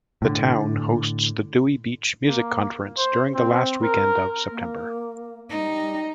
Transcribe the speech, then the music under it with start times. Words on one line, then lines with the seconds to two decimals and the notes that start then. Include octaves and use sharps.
The town hosts the Dewey Beach Music Conference during the last weekend of September.
0.22 A2 D3
2.25 A#3
2.97 C5
3.35 C4
3.82 A#4
4.51 A#3
5.49 G3 D#4